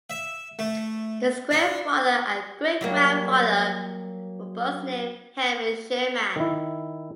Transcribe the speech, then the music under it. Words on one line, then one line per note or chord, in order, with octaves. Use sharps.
His grandfather and great grandfather were both named Henry Sherman.
E5
A3
D4
F#3 G3 A#3
D#3 E4